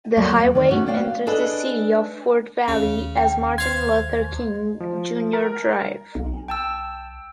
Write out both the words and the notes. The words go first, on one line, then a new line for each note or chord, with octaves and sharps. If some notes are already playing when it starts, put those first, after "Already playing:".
The highway enters the city of Fort Valley as Martin Luther King Junior Drive.
D2 F#3 A3 A#3 D5
E2
D#3 D5
A3 B3 C#4 D4 F#4
B4 C5 D5 F5 G5
D4 G#4 A4 B4 D#5
D#2 C#3
G5
C5 F5 C6 G#6
F3
A#4
B1
G5 A5 E6